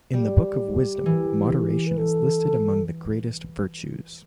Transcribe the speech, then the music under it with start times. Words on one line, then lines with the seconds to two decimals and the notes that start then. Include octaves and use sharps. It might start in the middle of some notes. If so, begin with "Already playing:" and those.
In the Book of Wisdom moderation is listed among the greatest virtues.
0.13 G3 G4
1.06 E3
1.87 B4
1.98 A4